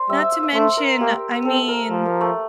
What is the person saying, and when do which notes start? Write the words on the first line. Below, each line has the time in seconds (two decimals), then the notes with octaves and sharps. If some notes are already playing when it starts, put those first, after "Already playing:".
Not to mention, I mean,
Already playing: C5 D5
0.09 G3 E5
0.21 E5
0.32 F5
0.43 E5
0.54 A3 C5
0.77 A#4
1.00 A#3 G4
1.45 C4 A4
1.68 A#4
1.90 F3
2.05 A#3
2.21 A3